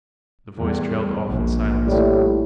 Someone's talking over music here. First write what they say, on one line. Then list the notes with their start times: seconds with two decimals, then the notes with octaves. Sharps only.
The voice trailed off in silence.
0.58 E2 G3
1.26 A#1
1.87 A2 G3